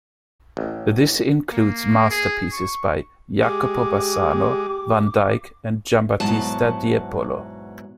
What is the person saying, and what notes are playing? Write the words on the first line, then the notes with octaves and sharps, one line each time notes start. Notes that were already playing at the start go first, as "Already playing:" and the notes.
This includes masterpieces by Jacopo Bassano, Van Dyck and Giambattista Tiepolo.
A1
A#3
G#4
C#6
G#3 G4 G#4 D6
E2 G#2 B2 F#3 A5